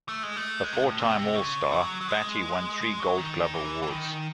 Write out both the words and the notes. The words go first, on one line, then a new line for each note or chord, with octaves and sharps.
A four-time All-Star, Battey won three Gold Glove Awards.
A3
G#3
A3
G#3
C3
A2
C3
C#3
F#3
F#3
G#3
G#3
F#3
D#3
E3
E3
D#3